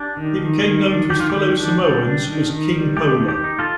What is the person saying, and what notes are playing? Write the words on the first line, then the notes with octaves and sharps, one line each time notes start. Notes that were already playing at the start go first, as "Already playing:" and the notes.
He became known to his fellow Samoans as "King Pola".
Already playing: D4 G4
D#3
D#3
D#3
D4
D#3 G4
F4
D#3 G4
D4
G3
D4
D#3
D#3
G3
A3 G4
D#3
G4
D#4
F4 A4